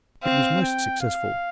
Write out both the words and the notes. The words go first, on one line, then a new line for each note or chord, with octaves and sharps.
It was most successful.
C4 F5
G5
F5